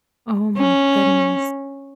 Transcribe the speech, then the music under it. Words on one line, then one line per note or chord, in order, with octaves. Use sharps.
Oh my goodness.
C#4